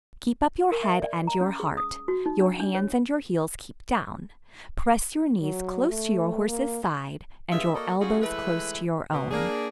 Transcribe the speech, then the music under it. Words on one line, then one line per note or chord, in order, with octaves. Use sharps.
Keep up your head and your heart, Your hands and your heels keep down, Press your knees close to your horse's side, And your elbows close to your own.
A#4
E5
D5
A#5
C#4
G#4
D#6
F#4
D#4
D4
D4
C#5
F#3
A3
A#3
G2 D3 G#3 F4 D#5 E5
A#3 F#4 A4 D5 D#5
G3 C#4 F4 F#4 G#4
E3 G#3 A3 B4
B2
A#3 D4 G#4